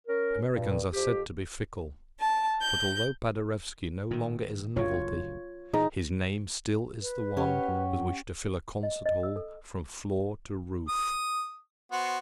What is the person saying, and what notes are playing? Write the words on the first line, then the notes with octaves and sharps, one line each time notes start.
Americans are said to be fickle; but although Paderewski no longer is a novelty, his name still is the one with which to fill a concert hall from floor to roof.
C#4 A#4
G2 A#2
F2 G4
A5
G6
A2 D#3
F#1 D2 A#2 F4 C#5
A#2 E3 D#4 G#4
B4
C#3 C#4 G4 C#5 F#5
F#2
D#5
D#5
E6
A4
D#6
B3 F#4 C5